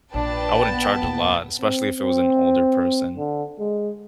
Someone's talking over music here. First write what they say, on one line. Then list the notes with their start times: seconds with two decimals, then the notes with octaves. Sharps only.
I wouldn't charge a lot, especially if it was an older person,
0.14 A#1 D4 B4 G5 A5
0.68 B3
1.02 D#2 A#2
1.61 C4
1.97 C4
3.17 D3
3.60 G#3